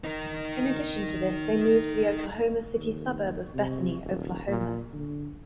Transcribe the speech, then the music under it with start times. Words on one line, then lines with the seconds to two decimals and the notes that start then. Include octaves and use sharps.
In addition to this they moved to the Oklahoma City suburb of Bethany, Oklahoma.
0.04 D#4 A#4
2.77 D#2
3.54 C3
4.04 D#1
4.47 A#2
4.93 D3